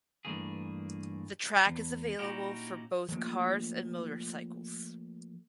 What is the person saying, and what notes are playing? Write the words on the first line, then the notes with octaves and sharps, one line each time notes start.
The track is available for both cars and motorcycles.
G2 E3 A3 A#3 G#4
E2
A#2 C#4 D#4 E4 F#4 G4
F3 F#3 A3 A#3